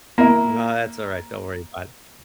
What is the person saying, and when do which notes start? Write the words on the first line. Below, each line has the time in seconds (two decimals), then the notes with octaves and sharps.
No, that's alright. Don't worry about it.
0.18 A#3 E4